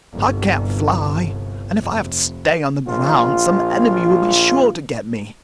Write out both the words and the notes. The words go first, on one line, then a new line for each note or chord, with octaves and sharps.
I can't fly, and if I have to stay on the ground some enemy will be sure to get me.
G1 C2
F1
A#1 F4